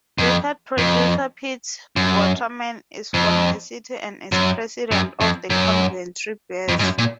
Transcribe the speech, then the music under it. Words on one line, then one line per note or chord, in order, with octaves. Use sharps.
Record producer Pete Waterman is from the city and is president of Coventry Bears.
F2
F2
F#2
F2
F#2
F#2
F2
F#2
F2
G#2
F#2
A#2